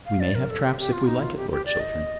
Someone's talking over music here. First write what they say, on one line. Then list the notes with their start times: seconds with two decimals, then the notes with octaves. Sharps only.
"We may have traps if we like it, Lord Chiltern."
0.06 F5
0.20 D5
0.35 A#4
0.49 A4
0.64 G4
0.79 G4
0.92 F4
1.07 D#4
1.22 F4
1.37 G4
1.51 G4
1.66 D5
1.80 D#5